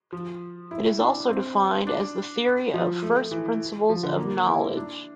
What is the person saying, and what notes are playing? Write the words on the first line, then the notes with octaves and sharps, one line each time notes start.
It is also defined as the theory of first principles of knowledge.
F3
E4
D4
C4
D4
F3
A3
E3
F3
D3
A#3
E4
D4